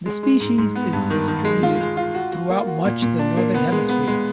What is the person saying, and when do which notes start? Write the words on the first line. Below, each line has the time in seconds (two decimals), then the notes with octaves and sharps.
The species is distributed throughout much the northern hemisphere.
0.06 G#3
0.23 G#3
0.40 G#2
0.58 G#2
0.75 B3
0.93 G2
1.10 D#3
1.28 D#3
1.45 G#3
1.63 F4
1.81 G#3
1.97 F4
2.15 F#4
2.32 F#4
2.50 A#3
2.67 F#4
2.85 A#2
3.02 A#2
3.19 D4
3.37 A#3
3.54 B3
3.72 G#3
3.89 B3
4.08 G#3